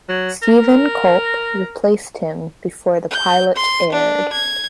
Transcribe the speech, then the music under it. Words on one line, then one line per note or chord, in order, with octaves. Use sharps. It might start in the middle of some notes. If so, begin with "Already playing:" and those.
Steven Culp replaced him before the pilot aired.
F#3
A#4
G6
C6
D4
G#6